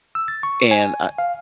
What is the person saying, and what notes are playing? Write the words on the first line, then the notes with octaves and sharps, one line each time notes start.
and I
E6
A6
C#6
G#5
F5